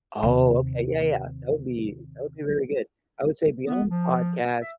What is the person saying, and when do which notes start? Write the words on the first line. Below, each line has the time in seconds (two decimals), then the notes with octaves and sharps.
Oh, okay, yeah, yeah, that would be that would be really good, I would say beyond podcasts,
0.22 D#2 C3
3.66 B3
3.89 F3
4.61 E5